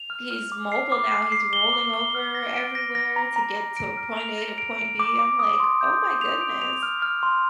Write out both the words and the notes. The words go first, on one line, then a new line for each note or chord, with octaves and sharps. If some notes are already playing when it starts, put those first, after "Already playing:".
he's mobile now. He's rolling over everywhere to get to point A to point B. I'm like, oh my goodness.
Already playing: F7
F6
F6
D6
C7
D6
C7
C7
G7
D6
G7
F6
A#6
D7
A#6
A#6
A#5
A#5
A#5
D7
F6
F7
A#6
D7
D7
D6
D6
D#6
C6
G6
C6
F7
D7
F7
F6
F6
C6